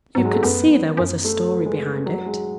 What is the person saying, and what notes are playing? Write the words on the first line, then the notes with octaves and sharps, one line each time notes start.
You could see there was a story behind it.
G#2 F#3
G#3
A3
F#2 B3
F#2
A3
G#3
F#3
G#3